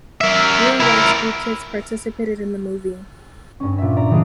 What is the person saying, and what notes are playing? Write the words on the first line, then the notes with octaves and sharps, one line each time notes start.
Real life street kids participated in the movie.
A#4 E5
E4 A#4
G2 C#4
A#2 E5
D5 A#5
C#3 E3 G3 G#3 D4 G#4